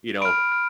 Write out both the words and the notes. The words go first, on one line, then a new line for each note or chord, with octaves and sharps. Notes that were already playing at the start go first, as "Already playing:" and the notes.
you know
B5 F6 D7
F6